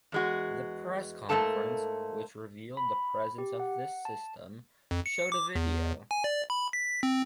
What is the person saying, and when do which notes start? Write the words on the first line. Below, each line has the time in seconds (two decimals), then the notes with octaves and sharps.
The press conference, which revealed the presence of this system, showed a video.
0.12 E2 G#3 F#4
1.29 G#2 G3 A3 A#3 A4 A5
2.77 B5
3.38 G4
3.60 F#5
4.05 A5
4.91 F2
5.06 C#7
5.32 D6
5.55 E2
6.11 G#5
6.24 D5
6.50 B5
6.73 B6
7.03 C4